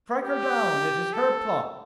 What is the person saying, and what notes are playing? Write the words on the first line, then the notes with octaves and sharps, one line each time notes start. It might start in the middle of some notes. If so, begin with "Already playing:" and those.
Strike her down; it is her plot.
G4
A4